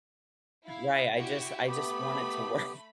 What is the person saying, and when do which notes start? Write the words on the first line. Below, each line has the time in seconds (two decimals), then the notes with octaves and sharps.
Right, I just I just want it to work,
0.65 E4 F5
1.15 E4 F#4 G4
1.66 A3 B3 G4 B5